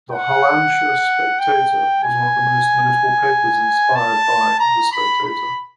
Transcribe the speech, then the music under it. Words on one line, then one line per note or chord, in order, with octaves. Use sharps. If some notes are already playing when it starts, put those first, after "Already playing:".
The "Hollandsche Spectator" was one of the most notable papers inspired by "The Spectator".
F#5
G5
G#5
A5
A#5
B5
B5